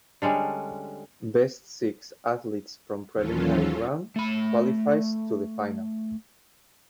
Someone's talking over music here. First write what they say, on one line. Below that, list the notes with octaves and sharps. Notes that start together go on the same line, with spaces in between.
Best six athletes from preliminary round qualifies to the final.
D3 G3 G#3 C#4
D#2 E3 F#3 C#4 F4 A4
A3 B5